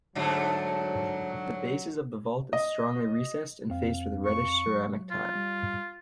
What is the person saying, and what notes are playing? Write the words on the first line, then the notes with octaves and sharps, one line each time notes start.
The bases of the vault is strongly recessed and faced with reddish ceramic tile.
G#2 D3 F#3 A3
D#5
F2 C4 F5
C#6
F#3
F4
G3